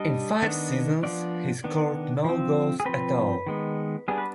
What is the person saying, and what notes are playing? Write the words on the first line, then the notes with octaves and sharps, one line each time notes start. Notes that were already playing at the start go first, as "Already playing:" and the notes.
In five seasons he scored no goals at all.
Already playing: G3 D4 D#5
D#3 B3 D4
F3 B3 D4 D5
D#3 B3 D4
F3 C4
G#4
F3 C4 B4
D#3 G#3 B3
G3 B3 D4 G#4
B4